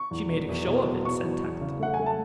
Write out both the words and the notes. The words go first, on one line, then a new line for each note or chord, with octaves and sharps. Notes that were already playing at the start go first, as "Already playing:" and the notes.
"She made a show of it," said Tackleton.
Already playing: C#6
E2
B2
E2
B2
E2
B2 C#6
E2
E2
C#3
A3 F#5
G#5
A3
A5